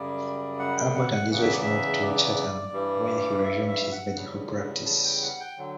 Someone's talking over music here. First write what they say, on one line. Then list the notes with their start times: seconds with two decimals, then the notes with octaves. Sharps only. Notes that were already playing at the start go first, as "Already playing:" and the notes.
Abbott and his wife moved to Chatham where he resumed his medical practice.
Already playing: F#2 C#3 G3 D5
0.59 F#5
0.77 G5
0.94 F#5
1.13 F#5
1.30 E2 C#3 E3 F#5
1.42 E5
1.52 D5
1.62 E5
2.02 D5
2.73 G2 E3 G3
3.44 E5
3.67 E5
3.92 F#5
4.15 E2 C#3 G3
4.86 A5
5.05 G5
5.22 F#5
5.40 G5
5.58 D3 F#3